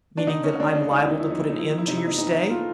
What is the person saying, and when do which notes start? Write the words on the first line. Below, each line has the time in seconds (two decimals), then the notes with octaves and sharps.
"Meaning that I'm liable to put an end to your stay?"
0.17 D4
0.27 D3 D#4
0.44 C#4
0.59 D2 D4
0.75 D4
0.91 E1 D#4
1.01 E4
1.10 D#4
1.20 F3 E4
1.30 D#4
1.39 E4
1.49 D#4
1.55 F3 E4
1.69 D#4
1.78 E4
1.87 C3 D#4
1.97 E4
2.07 D#4
2.18 E2 D#4
2.34 D#4
2.50 A3 F4